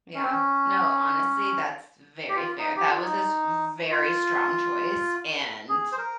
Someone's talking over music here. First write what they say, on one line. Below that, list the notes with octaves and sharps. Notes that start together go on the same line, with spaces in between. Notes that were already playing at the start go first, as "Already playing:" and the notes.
Yeah, no, honestly, that's very fair, that was a s very strong choice and
C#4
C4
C#4
G4
F4
D#4
G4
F4
D#4
F4
G#4
C5
A#4